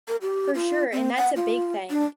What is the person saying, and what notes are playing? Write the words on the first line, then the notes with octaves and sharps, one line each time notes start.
For sure, and that's a big thing.
A#4
G4
F4
C4
F#5
F4
D4